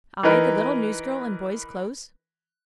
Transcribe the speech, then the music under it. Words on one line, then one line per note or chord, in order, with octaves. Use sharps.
I, the little newsgirl in boy's clothes?
E3 D#4 A#4 B4